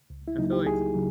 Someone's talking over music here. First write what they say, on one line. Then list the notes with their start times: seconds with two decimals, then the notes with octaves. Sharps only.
I feel like
0.10 C#2
0.28 E4
0.38 C#3 F#3 A#3 D#4
0.52 G4
0.67 C#2 G#4
0.95 C#3 F#3